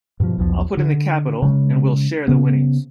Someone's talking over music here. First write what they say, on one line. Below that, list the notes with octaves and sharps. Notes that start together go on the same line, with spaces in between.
I'll put in the capital and we'll share the winnings.
G2 B2 D#3 F3
B1 E2 D#3 F3
D3
C#3 G#3
C#3 B3